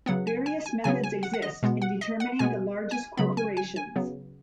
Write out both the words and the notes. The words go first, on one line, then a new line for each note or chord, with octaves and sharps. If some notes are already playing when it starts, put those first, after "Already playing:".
Various methods exist in determining the largest corporations.
C#3 F#3 B3 F#5
G#5
G#5
G#5
C#3 F#3 B3 G#5
G#5
F#5
F#5
D#5
B2 G#3 B3
F#5
D#5
F#5
B2 G#3 B3 G#5
G#5
C#3 F#3 B3 B5
G#5
G#5
G#5
C#3 F#3 B3